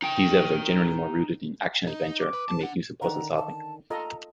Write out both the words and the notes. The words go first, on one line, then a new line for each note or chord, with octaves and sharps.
These levels are generally more rooted in action-adventure, and make use of puzzle-solving.
D#4 G5
D#4
D6
B4
A5
D4 F#5
D3 D#3 F#5 A#5
A5
F4 A4 D#5 A#5